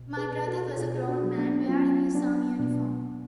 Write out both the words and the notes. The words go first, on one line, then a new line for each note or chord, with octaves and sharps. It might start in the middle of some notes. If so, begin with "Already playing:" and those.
My brother was a grown man, wearing his Army uniform.
Already playing: B2
G#4 B4
B2
F#4 A4
B2 F4 G#4
D4 F#4
F#3
B3 D4
F#3 C#4 F4
F#3 B3 D4
B2 B3 D4